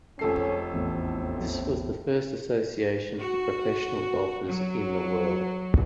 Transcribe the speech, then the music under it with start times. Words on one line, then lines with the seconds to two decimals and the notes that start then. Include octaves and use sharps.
This was the first association for professional golfers in the world.
0.19 F1 F3 G#3 C#4 A4 C7
0.74 A1 E2 A2 C4
3.18 F#4
4.47 F#3